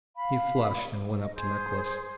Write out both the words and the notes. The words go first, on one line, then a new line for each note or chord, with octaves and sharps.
He flushed and went up to Nicholas.
F5 B5
D#5
G#4 C5